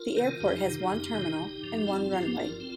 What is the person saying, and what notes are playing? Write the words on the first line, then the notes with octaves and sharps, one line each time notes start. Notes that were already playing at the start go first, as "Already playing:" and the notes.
The airport has one terminal and one runway.
Already playing: F4 A#4
C3 D#3
F2 D#4 G4
C3 D#3
F2
C3 D#3
G1
G2 F3
G1 C4 F4
G2 F3 D#4 G4
G1 F4 A#4
C4 F4